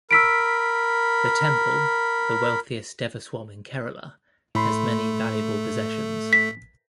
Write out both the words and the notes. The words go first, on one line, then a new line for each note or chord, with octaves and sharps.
The temple, the wealthiest Devaswom in Kerala, has many valuable possessions.
A#4 B5 E6 B6 D7
A2 A3 B5 C6
B6